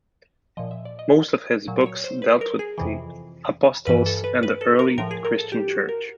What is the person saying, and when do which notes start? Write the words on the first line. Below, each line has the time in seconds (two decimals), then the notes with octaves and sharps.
Most of his books dealt with the Apostles and the early Christian church.
0.57 A#2 F3 D#5
0.71 E5
0.85 D5
0.99 D#5
1.68 A#2 F#3
1.86 C#5
2.04 C5
2.22 B4
2.41 A#4
2.59 G#4
2.78 F2 C3 E3
3.87 G2 E3 B4
4.06 A4
4.24 B4
4.43 B4
4.61 A4
4.79 A#4
4.98 A2 F3 A#4
5.11 G#4
5.25 A#4
5.38 A4
5.52 G4
5.71 F#4
5.89 A#4